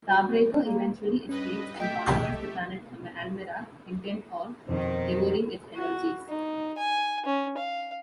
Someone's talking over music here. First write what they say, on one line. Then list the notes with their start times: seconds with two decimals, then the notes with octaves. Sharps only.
Starbreaker eventually escapes, and conquers the planet Almerac, intent on devouring its energies.
0.09 F#4
0.62 A#3
1.29 G2 C#4 B4 D#5
1.80 A3 G4 D#5 E5 G5 G6 B6
4.69 F2 B2 D#3 C5
5.76 F#4
6.28 D#4
6.77 G#5
7.25 C#4
7.57 F5